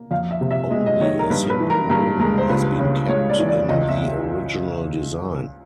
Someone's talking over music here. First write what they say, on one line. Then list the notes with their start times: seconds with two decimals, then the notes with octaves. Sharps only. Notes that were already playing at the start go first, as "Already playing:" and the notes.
Only a single room has been kept in the original design.
Already playing: A#3
0.11 F2 F5
0.31 E5
0.41 C3
0.51 E5
0.71 G#3 D#5
0.86 D#5
1.00 D#3 C#5
1.19 A#4
1.30 G2 B4
1.50 B4
1.60 E3
1.70 A#4
1.90 G2 A#4
2.20 G#3 A#4
2.38 C5
2.50 C#2 B4
2.79 C#3
3.09 G#3 C#5
3.30 D5
3.39 E3
3.49 D5
3.69 C#2 D#5
3.89 E5